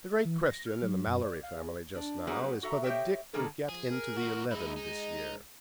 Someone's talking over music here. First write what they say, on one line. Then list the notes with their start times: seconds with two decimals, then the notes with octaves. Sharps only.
The great question in the Mallory family just now is whether Dick will get into the eleven this year.
0.13 E5
0.25 E3
0.44 A#6
0.66 F6
0.82 F#3
1.07 F#2
1.21 D5
1.43 F5
1.55 G#4
1.95 D4
2.27 F#3 G3 A#3 B3 G#4
2.63 F#4 A4 E5 A#5
2.83 G4 C5 C#5 D#5 E5 G5
3.33 B2 D3 F3 A#3 G#4 A4
3.69 F3 G#4
3.90 A#4
4.18 G#2 F#4
4.51 G#3 D#4 E4
4.76 D#4